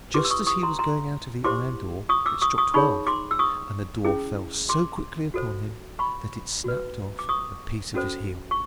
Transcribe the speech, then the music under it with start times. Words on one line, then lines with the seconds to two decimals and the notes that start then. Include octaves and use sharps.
Just as he was going out of the iron door it struck twelve, and the door fell so quickly upon him that it snapped off a piece of his heel.
0.14 E4 G4 B4 C6 D6
0.25 E6
0.31 C#6 D#6
0.47 C#6 D#6
0.63 A#5 C6
0.79 A#5 C6
1.44 E4 G4 C5 C6 D6
2.09 C#6 D#6
2.26 D6 E6
2.42 C#6 D#6
2.58 C#6 D#6
2.74 D#4 G#4 C#5 B5 C#6
3.07 C6 D6
3.31 E6
3.39 C#6 D#6
4.05 C#4 E4 G#4
4.69 C6 D6
5.34 F#4 A4 C5
5.99 B5 C#6
6.64 F#4 B4
7.19 D6
7.29 C#6 D#6
7.94 C#4 F#4 A4 C5
8.51 C#6